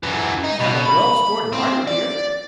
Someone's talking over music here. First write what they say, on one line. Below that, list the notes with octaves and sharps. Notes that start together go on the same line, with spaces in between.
We have a well-stored larder here.
F#2 E3
D#4
B2
B5
C4
D5